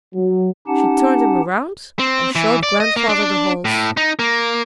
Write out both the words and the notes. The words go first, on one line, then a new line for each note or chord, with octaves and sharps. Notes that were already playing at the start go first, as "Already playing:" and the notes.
She turned him around and showed Grandfather the holes.
F#3
C#4 D#4 G4 F#5 A5
C4
E3
D5
D#5
A#3
D4
A2
D#4
A#3